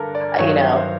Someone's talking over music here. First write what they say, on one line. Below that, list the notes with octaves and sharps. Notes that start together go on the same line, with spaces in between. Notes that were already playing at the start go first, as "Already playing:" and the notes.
uh, you know.
Already playing: G2 D3 A4 A#4
D5
G2 D#3 F#3 C#5
C5
C5